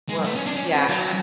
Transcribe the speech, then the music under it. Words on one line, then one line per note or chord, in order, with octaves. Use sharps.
Well, yeah. Eh,
G#3
A3
C#4
D4
C#4
F#3